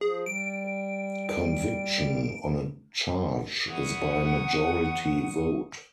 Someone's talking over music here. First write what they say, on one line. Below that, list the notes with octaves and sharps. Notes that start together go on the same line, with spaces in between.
Conviction on a charge is by majority vote.
F3 G#4
G3 D7
E3 B3 F#5 C#6 D#6